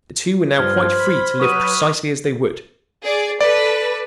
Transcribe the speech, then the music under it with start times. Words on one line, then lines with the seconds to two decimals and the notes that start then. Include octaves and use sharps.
The two were now quite free to live precisely as they would.
0.58 G2 F3 C5 F6 G#6
0.96 B5
1.40 F#3 B4 C#6 D#6 D#7
3.03 G#4 D5
3.41 A4 B4 D5